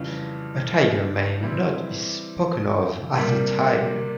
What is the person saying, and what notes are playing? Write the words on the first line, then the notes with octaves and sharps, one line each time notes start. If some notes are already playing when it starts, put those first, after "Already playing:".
A tiger may not be spoken of as a tiger.
Already playing: F2 C#3 E3 G3 C#4
E3 G3 C4 E4
C3 G3 A#3